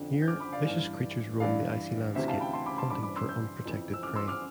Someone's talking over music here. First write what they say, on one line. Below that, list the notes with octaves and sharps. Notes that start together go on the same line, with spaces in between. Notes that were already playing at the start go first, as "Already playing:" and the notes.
Here, vicious creatures roam the icy landscape, hunting for unprotected prey.
Already playing: F2 D3
G6
D6 F6
B5 D6
D5 F5
G2 E3
G2 E3 D5 F5
D2 C3 E3 C5 E5
F5 A5
G5 B5
A5 C6
B5 D6
A5 C6
G2 E3 B5 D6
B5 D6
C6 E6
E6 G6
F2 E3
E6
D6 F6
C6 E6
D6 F6